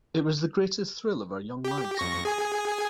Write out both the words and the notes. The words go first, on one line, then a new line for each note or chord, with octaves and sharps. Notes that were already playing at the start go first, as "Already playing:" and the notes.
It was the greatest thrill of our young lives.
G4
F2 C#6 A#6
G#4 G#5